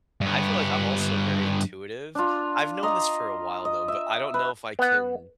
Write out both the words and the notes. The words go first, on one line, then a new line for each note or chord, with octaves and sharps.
I feel like I'm also very intuitive. I've known this for a while, though, but I don't know if I can
G2 B3
D4 F4
D#5 A#5 C6
D#5
E5
B4
B3 F#5